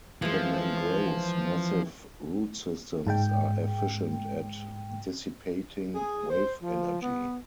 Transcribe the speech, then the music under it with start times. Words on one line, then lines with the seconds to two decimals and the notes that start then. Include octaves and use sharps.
The mangroves' massive root systems are efficient at dissipating wave energy.
0.22 E3 F3 G#3
3.07 G#2 G#3 G5
5.95 G#4
6.30 C5
6.62 F3
7.02 B3